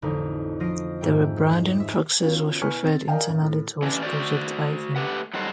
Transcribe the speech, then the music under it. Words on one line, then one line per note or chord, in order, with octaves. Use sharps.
The rebranding process was referred internally to as Project Hyphen.
A1 F2 D3 D#4
F3 D#5 A#6 C7 D7 D#7
G#2 A3 G5
G#3
E5
B3 C#4 F4 F#4
B2 E4 B4 G#5 C#6 F6
C4 A6
A#4 D5 D#5 F5 G5 G#5
A1
A2
E3 C#4 D4
F#4 C5 D5
A3 G4 B4 F#5
F#3 G3 D#4 F#4 A4 C5